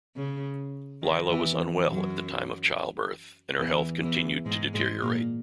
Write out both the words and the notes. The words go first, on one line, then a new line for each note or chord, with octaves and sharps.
Lila was unwell at the time of childbirth, and her health continued to deteriorate.
C#3
D#3
E2 E3
F#2 F#3
E2 E3
E2 E3
G#2 G#3
G#2 G#3
A#2 A#3